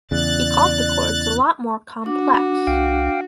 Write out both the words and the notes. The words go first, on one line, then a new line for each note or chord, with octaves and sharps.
He called the chords a lot more complex.
E2 C#3 D5 F#6 A6
D4 F#4 D6
C2 F5 G5